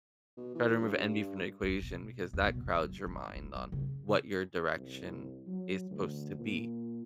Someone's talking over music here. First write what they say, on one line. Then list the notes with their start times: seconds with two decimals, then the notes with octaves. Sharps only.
Try to remove envy from the equation because that crowds your mind on what your direction is supposed to be
0.38 B2
0.55 E3
0.81 G2
1.63 F2
1.82 B2
2.33 E2
2.46 B2
2.66 D3
2.83 F#2
3.07 G2
3.36 E4
3.54 G3
3.72 C#3
4.75 C2
5.47 F#3
5.91 D2
6.39 A#2